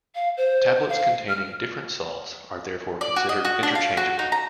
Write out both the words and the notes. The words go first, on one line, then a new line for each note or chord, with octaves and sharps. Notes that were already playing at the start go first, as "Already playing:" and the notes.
Tablets containing different salts are therefore considered interchangeable.
F5
C5
F5
F6
D5
F#4
D#5
F#4
D4
F5
F#4
D#4
A#5